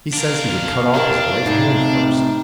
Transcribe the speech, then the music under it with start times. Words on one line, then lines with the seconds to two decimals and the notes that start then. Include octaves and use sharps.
"He says he would cut off his right hand first."
0.13 D4 A#4 F5
0.94 D4 E4 G4 A#4
1.46 A2 C3 D#4